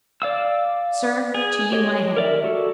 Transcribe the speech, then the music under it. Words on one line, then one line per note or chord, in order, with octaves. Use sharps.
Sir, to you my hand.
D5 F5 E6
G#4
G4 C#5 D#5
A#4 D5 E5
F#4 A4